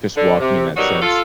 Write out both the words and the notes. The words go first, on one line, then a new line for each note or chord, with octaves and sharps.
just walking in that sense
D3
C3
B2 D#3 F#3 G3 D#4 F#4
F4 A4